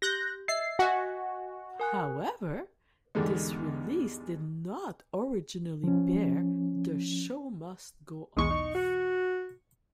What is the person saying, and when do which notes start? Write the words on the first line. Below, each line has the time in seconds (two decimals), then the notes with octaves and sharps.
However, this release did not originally bear the Show Must Go Off!
0.02 G4 F#6 G6 A#6
0.48 D#5 E5 E6 C7
0.79 F#4 D#5 F#5 G#5
1.80 A#4 G#5 F#6
3.15 E2 G#2 B2 D3 G3 G#3
5.84 F3 C#4
8.37 B1 E2 G#3 C#6
8.50 D#4
8.75 F#4